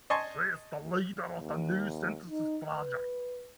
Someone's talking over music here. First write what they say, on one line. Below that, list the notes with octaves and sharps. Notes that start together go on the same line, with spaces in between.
She is the leader of the New Synthesis Project.
D#5 G#5 A5 C6 C#6
D#2
D#4
B4